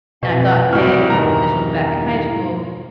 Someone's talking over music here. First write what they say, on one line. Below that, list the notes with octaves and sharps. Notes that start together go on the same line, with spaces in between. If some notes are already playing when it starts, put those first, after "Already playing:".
And I thought, "Hey, this was back in high school,
F2 B2 E3
C2 G3 F#4 F6
E2 G2 D#3 A#5